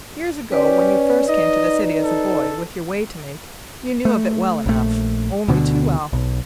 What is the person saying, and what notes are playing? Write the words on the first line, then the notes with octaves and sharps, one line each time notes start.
Years ago, when you first came to the city as a boy with your way to make, you knew of it well enough, only too well.
C#4 G4 B4 D5
D#4 D#5
A4
A3
A#1 A3
D2 B2 D3
B1